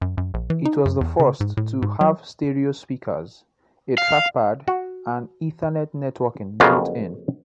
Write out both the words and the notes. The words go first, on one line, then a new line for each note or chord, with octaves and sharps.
It was the first to have stereo speakers, a trackpad, and Ethernet networking built-in.
F#2
F#2
A#1
E3
D#4
F#2
E2
C#3
G#2
A2
G#2
F#3
F5
F#4
F2 C#3 F#3 A#3 B3 F4